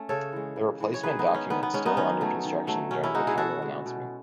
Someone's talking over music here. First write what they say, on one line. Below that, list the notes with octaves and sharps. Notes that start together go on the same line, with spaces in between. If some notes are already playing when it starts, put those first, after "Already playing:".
The replacement document still under construction during the time of announcement.
Already playing: A3 C#4
C#3 A4 C#5
E3 G#3
C#3
E3 G#3
C#5
D#3 G#4 B4
B3 D#4
G#3
C#4
D#3 B3
B3
G#3 C#4
B3 D#4
D#3 C#4
F#3 A3
D#3
F#3 A3
B2 C#4
C#4 E4
G#3 D#4 F#4
E4 G#4
B2 F#4 A4
G#3
B2